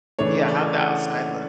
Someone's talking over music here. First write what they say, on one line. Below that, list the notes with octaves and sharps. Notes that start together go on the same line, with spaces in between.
Yeah, how'd the outside look?
C#3 E3 A3 D4 C#5
D5
F#5
F#5